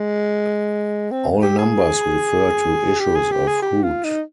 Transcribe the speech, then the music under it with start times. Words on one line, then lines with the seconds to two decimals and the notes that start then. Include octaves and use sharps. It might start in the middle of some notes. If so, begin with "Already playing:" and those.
All numbers refer to issues of Hoot.
Already playing: G#3
1.11 C4
1.43 G4
1.59 G#4
3.00 G4
3.15 G#4
3.32 G4
3.47 G#4
3.63 G4
3.84 F4
4.05 D#4